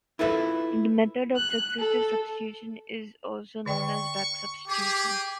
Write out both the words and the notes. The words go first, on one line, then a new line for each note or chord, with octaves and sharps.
The method of successive substitution is also known as back substitution.
E4 F4 A4 B4 E5
F#6
A4
D3 D5 G5 C#6
G4 G#4 D6